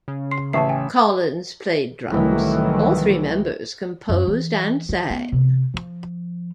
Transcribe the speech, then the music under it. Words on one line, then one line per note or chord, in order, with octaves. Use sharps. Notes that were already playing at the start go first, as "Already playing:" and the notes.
Collins played drums; all three members composed and sang.
C#3
C6 C7
A1 E5 A5 C#6 C7
G5 G#5
C2 A2 D#3 E3 F#3
F#2
E3
D#3
B3
C3
F3